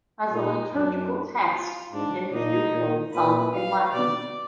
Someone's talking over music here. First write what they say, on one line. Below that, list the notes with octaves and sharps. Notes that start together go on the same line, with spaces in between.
As a liturgical text, the hymn is usually sung in Latin.
A#2 D#4
F#2 D4
F4
G#2 D4
A#2 D#4
A#2
A#2 B4
F5
B2 D5